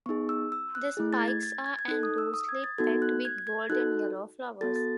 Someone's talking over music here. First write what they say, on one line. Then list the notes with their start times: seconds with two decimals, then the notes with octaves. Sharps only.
The spikes are and loosely packed with golden yellow flowers.
0.06 B3 D#4 G#4 C#6
0.29 E6
0.52 E6
0.75 F#6
0.97 A3 E4 G#4
1.13 A6
1.28 G#6
1.43 A6
1.66 G#6
1.79 G#6
1.88 D#4 A4 F#6
2.03 D#6
2.18 E6
2.34 D#6
2.49 G#6
2.64 A6
2.78 B3 D#4 F#4 A4 G#6
3.02 F#6
3.25 G#6
3.47 G#6
3.70 D#4 F#4 A4 F#6
4.61 B3 F#4 A4 A6
4.76 A6